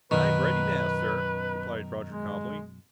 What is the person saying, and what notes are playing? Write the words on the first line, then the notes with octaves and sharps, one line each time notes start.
"I'm ready now, sir," replied Roger calmly.
F#2 B2 D#3 B3 B4
G#3